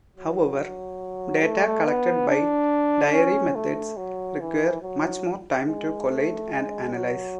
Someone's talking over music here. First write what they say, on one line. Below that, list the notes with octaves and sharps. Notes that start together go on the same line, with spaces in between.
However, data collected by diary methods requires much more time to collate and analyse.
F#3
A3
B3
D4
C#4
A3
F#3
E3
F#3
G#3
A3
G#3
F#3